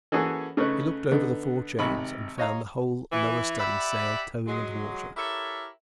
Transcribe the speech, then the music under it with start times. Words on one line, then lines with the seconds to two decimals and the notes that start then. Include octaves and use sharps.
He looked over the fore chains, and found the whole lower studding-sail towing in the water.
0.12 E3 A#3 C#4 F#4 G#4 A4
0.57 C#3 A3 C#4 D#4 B4
1.11 D3 B3 D#4
1.79 G#1 C3 D#4 B5 C#6
2.38 C#5 D#5 F5 A#5
3.12 E3
3.58 G4 D5 E5 F#5 B5
4.47 F#3 G#3
5.16 E4 G4 A4 A#4 C#5 E5